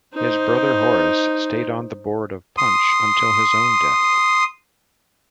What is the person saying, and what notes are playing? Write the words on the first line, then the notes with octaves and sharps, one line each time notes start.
His brother Horace stayed on the board of Punch until his own death.
D#4 C5
C6 D#6